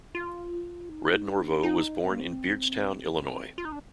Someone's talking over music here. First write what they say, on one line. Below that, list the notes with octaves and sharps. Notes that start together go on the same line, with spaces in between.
Red Norvo was born in Beardstown, Illinois.
F4
D#4
D4
D#4
C4
A#3
C4
F4
D#4
D4